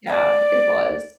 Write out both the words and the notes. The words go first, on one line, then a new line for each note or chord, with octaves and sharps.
Yeah, it was.
F5
D5